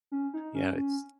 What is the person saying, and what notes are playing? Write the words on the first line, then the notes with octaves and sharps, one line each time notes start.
you know, it's
C#4
D#4
C#4
C#4